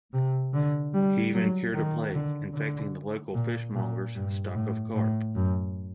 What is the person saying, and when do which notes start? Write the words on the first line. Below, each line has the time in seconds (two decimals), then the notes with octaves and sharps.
He even cured a plague infecting the local fishmonger's stock of carp.
0.13 C3
0.54 D3
0.94 G3
1.33 F#3
1.74 D#3
2.14 D3
2.54 D3
3.34 A#2
3.75 A#2
4.15 G2
4.55 A2
4.95 A2
5.35 F#2